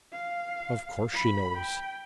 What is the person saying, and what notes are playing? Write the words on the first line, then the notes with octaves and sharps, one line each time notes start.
'Of course she knows.
F5
B5
G5